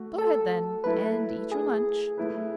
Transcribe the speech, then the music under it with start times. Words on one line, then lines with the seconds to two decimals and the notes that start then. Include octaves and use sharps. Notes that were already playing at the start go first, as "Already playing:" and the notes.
"Go ahead, then, and eat your lunch."
Already playing: A3 F#4
0.18 A4
0.84 F#3 A3 E4 A4 B4
1.52 G#4
2.18 A3 E4 B4